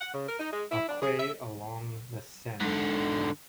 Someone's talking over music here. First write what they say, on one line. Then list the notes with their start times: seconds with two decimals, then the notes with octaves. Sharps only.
A quay along the Seine.
0.01 F#5
0.14 C#3
0.27 A#4
0.39 D#4
0.52 G#3
0.71 E4
0.88 D4
1.02 G#4
1.19 E5
2.60 G#2 D3